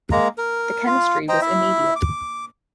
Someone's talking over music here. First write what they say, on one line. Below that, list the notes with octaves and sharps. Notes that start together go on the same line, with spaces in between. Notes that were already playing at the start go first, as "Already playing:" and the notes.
The chemistry was immediate.
G#3 A#3 A#5
A#4
F4 F5
C5 D#5 G5 A#5
E4 E5
D6